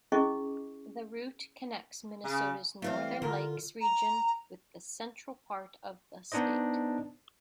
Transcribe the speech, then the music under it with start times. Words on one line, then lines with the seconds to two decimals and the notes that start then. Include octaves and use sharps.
The route connects Minnesota's northern lakes region with the central part of the state.
0.12 C#4 E4 G#4 D#5 C#6 D6
2.24 C#3
2.82 E3 G3 A3 C4 F5
3.22 D3 F4 A#4
3.81 A#5
6.32 B3 D4 D#4 C5 D#5